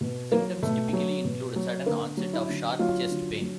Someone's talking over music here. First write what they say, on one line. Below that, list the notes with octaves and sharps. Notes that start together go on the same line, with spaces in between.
Symptoms typically include sudden onset of sharp chest pain.
B2
F#3 A#3
B2 A3
F#3
B2
F#3
D3 A#3
F#3
E4
D3
F#3 F4
D3
F#3